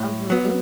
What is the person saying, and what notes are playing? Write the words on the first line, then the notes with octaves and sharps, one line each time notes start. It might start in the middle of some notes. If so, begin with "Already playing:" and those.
Uh, hmm.
Already playing: A2
F#3 B3